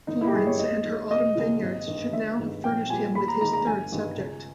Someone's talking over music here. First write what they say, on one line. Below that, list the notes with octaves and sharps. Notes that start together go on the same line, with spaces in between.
Florence and her autumn vineyards should now have furnished him with his third subject.
G1 D#4
E4
G4
G2 G3 G#4
C#5
D#2 D#5
D#3 G#3
E1 D#5
D#2 C#3 E3
G#1
G2 D#3
G1 E5
G2 D#3 G#3
A#1 G5
A#2 G3 G#5
D#2 B5
A#5
D#3 G#3 A#5
A#5
G1 G#5
G2 D#3 G3
C#2